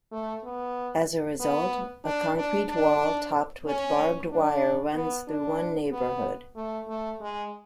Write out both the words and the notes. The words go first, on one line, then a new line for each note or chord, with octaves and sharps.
As a result, a concrete wall topped with barbed wire runs through one neighbourhood.
A3
B3
B3
D4
D4
D4
C#4
D4
B3
D4
B3
A3
A3
G#3